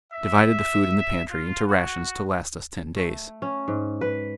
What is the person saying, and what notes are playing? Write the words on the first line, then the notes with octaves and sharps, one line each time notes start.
I divided the food in the pantry, into rations to last us ten days.
E5
F4
F#4
A3
C#4
G#2
B4